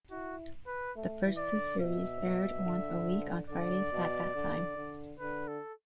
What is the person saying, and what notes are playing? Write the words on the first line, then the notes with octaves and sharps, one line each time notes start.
The first two series aired once a week on Fridays at that time.
E4 F#4
B4
A3
E3
D5
D3
B2 E5
B2
D3
D3 D5
B2
D3
D3
D3 B4
A4